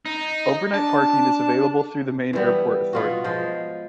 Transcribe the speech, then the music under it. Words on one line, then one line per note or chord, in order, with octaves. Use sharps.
Overnight parking is available through the main airport authority.
D#4
D4 A5
E3 G3 B3
B2 F4 F#4
F3 G#3